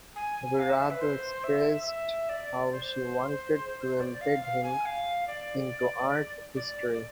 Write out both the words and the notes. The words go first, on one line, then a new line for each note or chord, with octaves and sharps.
Guirado expressed how she wanted to embed him into art history.
G#5
F5
E5
E5
B4
C5
E5
E5
D5
C5
D5
F5
F5
G#5
F5
D5
D5
D5